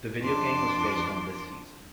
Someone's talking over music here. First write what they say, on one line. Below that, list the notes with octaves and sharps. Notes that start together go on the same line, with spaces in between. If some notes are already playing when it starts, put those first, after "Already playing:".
The video game was based on this season.
F2 D4 C6 D6